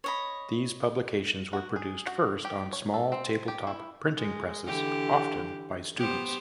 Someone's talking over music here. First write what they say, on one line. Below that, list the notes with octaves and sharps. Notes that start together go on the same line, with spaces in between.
These publications were produced first on small tabletop printing presses, often by students.
C#5 D#5 B5
F#4
G#4
F#4
G4
C#5
A4
C4
G4
E4
G#3
D3 E3 G4
B3 G4 C5